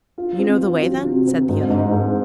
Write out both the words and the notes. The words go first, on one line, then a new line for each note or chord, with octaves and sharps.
'You know the way then?' said the other.
F4
C4
F4
F#3
C3
C4
G#2
G#2
G#2